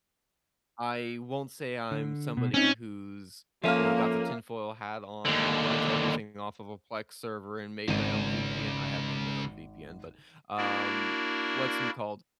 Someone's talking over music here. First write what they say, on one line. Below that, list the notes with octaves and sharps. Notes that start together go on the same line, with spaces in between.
I won't say I'm somebody who's, you know, got the tinfoil hat on and runs everything off of a Plex server and made my own VPN. I have made my own VPN, but, um, what's mccalled?
D3
B2
C4 C#4 D#4
F3 A#3 C#4 A4 E5 F5 F6
D#2 D3
G#1 C#2 D#7
A#3 D4 E4 F#4 A#4 D5